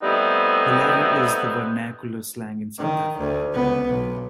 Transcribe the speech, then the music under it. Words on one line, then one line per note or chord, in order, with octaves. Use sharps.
The latter is the vernacular slang in South Africa.
G3 A3 B3 C4 D#4 E4
D#3
D2
C#2 B3
B1